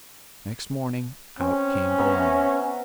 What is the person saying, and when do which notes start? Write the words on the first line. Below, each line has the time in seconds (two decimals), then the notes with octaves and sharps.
Next morning out came the lion.
1.40 C4 C#4
1.98 B3 E5 A#5